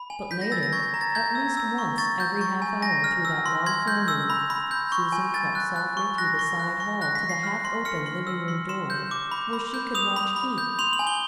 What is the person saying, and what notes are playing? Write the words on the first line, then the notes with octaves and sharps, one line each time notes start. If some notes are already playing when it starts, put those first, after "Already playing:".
But later, at least once every half-hour through that long forenoon, Susan crept softly through the side hall to the half-open living-room door, where she could watch Keith.
Already playing: B5
G#5
G6 B6
A#6
E6 A6
A#6
C#6 G#6
A#5
A6
G6 G#6
E6
E6
C#6
C#6 A6
G6
C#6
G#5
G#5 A#6
F6
E6
C6
C6 G#6
G6
E6
B5
B5
G6
C#6
G#5
G#5 A6
F#6
F#6
C#6
F#6 A#6
C#6
F#6
C#6
F#6 A#6
B6
C#6
C7
F6
C6
F6 C#7
C6
E6
C6
C6 E7
G6
D6
B5
B5
G6
D#6 F7
B5
B5
G6
C6 F7
F#7
G#5
G7